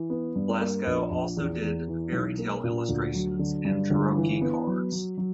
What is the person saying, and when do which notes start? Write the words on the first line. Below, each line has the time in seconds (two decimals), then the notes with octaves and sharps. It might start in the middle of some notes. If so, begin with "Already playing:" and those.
Blasco also did fairy tale illustrations and tarrocci cards.
Already playing: E3
0.10 B3
0.36 G2
0.61 A#3
0.86 A#1
1.11 A#1
1.37 E2
1.62 E2
1.88 E3
2.12 B1
2.39 A#3
2.64 A#2
2.89 D2
3.15 F#3
3.39 D3
3.65 G2
3.90 G1
4.17 E3
4.41 B3
4.67 F#3
4.92 F#3
5.17 F#3